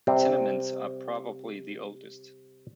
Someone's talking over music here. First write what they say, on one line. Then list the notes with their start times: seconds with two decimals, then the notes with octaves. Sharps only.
The tenements are probably the oldest.
0.07 C3 G3 C4